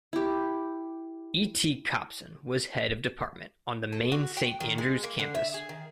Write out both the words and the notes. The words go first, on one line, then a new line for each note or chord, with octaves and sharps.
E. T. Copson was Head of Department, on the main Saint Andrews campus.
E4 G4
A4
F#4
G5
D#3
G#3
A#3
D3
E5
G#4
D#3